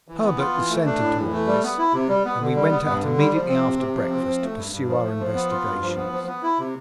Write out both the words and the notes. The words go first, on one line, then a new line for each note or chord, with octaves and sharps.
Herbert assented to all this, and we went out immediately after breakfast to pursue our investigations.
E3
B3
F4
E3
A3
D4
A2
E3
A3
G3
B3
E4
C3
G3
B3
D3
G3
B3
G2
D3
G3
F3
C4
C3
C3
F3
C4
F3
A3
G2
G2
F3
A3
F3
B3
F4
G2
F3
B3
F3
B3
E4
C3